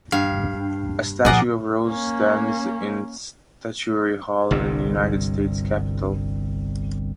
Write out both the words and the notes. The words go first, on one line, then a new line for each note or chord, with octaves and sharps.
A statue of Rose stands in Statuary Hall in the United States Capitol.
G2 F5
A#2 F3 G#4 A#4 D5 D#5 F#5
A#3 C#4
G1 C2 G2